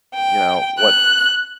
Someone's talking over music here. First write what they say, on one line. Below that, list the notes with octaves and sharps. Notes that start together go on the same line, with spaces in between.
you know, what
G5
F#6